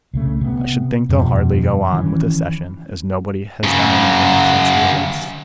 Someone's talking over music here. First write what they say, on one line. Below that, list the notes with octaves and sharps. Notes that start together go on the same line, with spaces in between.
I should think they'll hardly go on with the Session, as nobody has done anything since the arrest.
C2 C#3 A3
C3 B3
F2 B2 F3 G3
D#3 E3 C#4
F#2 C#3